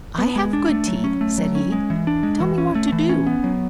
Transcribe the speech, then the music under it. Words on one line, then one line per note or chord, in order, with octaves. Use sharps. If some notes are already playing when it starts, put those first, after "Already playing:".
"I have good teeth," said he, "Tell me what to do."
B3
G#3
D4
A3
F#3
C#4
A3
F#3
C#4
G#3
E3
D4
G#3
E3
C#4
A3
E3
C#4
B3
F#3